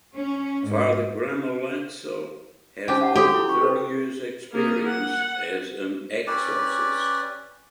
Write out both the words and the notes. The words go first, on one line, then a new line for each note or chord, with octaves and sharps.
Father Gramolazzo has over thirty years experience as an exorcist.
C#4
G#2
C#4 D#4 G4 C5
F5 F#5 A5
F#4 G4 A4 D#6
E4
C#6
A4 B4 C5
A#3 G#4
F#5
C#4 G4 B4 D5